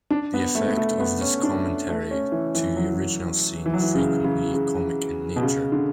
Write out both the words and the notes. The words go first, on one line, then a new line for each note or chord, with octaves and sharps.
The effect is of commentary to the original scene, frequently comic in nature.
D4
B3
A3
B3
A3
B3
C#4
D4
A3
C#4
E3
E3
F#3
E3
F#3
E3
C#3
C#3
C#3
B2
C#3
D3